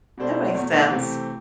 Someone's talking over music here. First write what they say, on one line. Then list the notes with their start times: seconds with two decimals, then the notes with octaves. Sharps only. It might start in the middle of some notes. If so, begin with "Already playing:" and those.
That makes sense.
0.18 B2 G3 D4 A4 C5
0.54 E2 B2 A3
0.90 C3 E3 A3 C4 G4